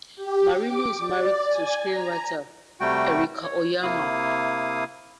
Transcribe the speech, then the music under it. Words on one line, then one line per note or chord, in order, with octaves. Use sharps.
Marino is married to screenwriter Erica Oyama.
G4
D6
D5
G#5
A#5
C3 G3 A3 F#4 G5
C#5
C3 A#3 E4 F5 D#6